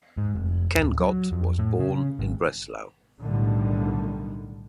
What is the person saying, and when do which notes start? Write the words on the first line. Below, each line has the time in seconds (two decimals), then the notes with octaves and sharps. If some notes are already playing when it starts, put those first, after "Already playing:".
Kenngott was born in Breslau.
0.17 G#2
0.35 F1
0.76 D1
1.00 F#3
1.32 F2
1.58 A2
1.79 C#3
2.19 G#1
3.20 B1 A2 D3 D#3 G3